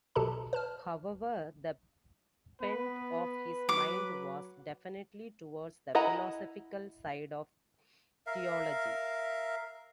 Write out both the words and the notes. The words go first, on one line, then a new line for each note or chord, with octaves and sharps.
However, the bent of his mind was definitely towards the philosophical side of theology.
B1 B2 G4 A4 A5 A#5
B4 A5 F6
B3 B4
F#3 D6
E4 D#5 F#5 G#5 A#5
A#4 E5 F5